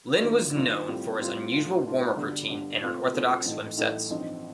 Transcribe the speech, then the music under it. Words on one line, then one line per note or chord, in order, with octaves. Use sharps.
Linn was known for his unusual warm-up routine and unorthodox swim sets.
G2 D#3 A#3 F4
G2 D#3 A#3 F4
A2 G3 C4 F4
A2 G3 C4 F4
A2 A3 D4 F4
A2 A3 D4 F4
G1 G2 D3 G3
G1 G2 D3 G3
A#2 A3 C4 F4
A#2 A3 C4 F4
A1 A2 A3 D#4
A1 A2 A3 D#4
A1 G2 F3 C4 D#4